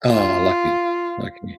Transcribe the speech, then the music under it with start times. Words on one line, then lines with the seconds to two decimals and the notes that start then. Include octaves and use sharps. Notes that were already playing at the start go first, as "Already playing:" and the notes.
Oh, lucky, lucky.
0.10 F4